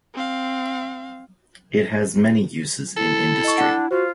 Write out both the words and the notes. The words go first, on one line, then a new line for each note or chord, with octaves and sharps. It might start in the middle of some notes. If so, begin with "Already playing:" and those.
It has many uses in industry.
C4 F5
E4 A4
D#5 C#6
D4 F#5
F4 F#4 C5